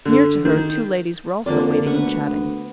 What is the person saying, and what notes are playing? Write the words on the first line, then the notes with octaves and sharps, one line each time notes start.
Near to her two ladies were also waiting and chatting.
D3
D#3
F2 D3 A#3 D5
D2 B3 F#5 C#6